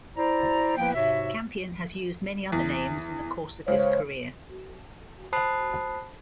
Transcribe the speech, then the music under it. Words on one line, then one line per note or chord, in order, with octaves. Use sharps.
Campion has used many other names in the course of his career.
E4 C5 D5 A#5
F3 A#3 B3 E4 B4 G5
G#2 C3 F#4 C#5 E5
E2
C#2 C5 C#5 F5
C5 A5 B5 D#6 F#6 C7